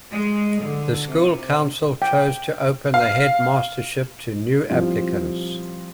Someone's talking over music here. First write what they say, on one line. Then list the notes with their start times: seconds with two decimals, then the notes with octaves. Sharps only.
The school council chose to open the head mastership to new applicants.
0.12 G#3
0.61 D3
1.05 C3
2.02 G5
2.94 F5
4.70 F3 G3 C4 E4 F4